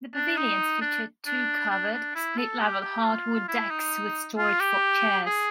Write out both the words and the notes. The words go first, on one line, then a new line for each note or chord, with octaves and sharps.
The pavilions feature two covered, split-level, hardwood decks with storage for chairs.
D4
D#4
D4
D4
D4
D4
E4
A4
G4
G4
F4
E4
D#4
F4
G4
G#4